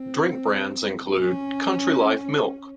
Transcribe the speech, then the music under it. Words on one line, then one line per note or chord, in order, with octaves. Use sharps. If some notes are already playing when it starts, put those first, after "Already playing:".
Drink brands include "Country Life Milk".
Already playing: C4
C#4